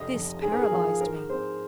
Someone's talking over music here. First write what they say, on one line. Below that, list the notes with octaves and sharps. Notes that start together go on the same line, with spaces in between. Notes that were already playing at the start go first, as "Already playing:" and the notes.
This paralysed me.
Already playing: F1 D#5
F2 C3
G#2 G#4
A#4
G#4
F3 G#3 F4
G#2 A#4
G#3 C4 C5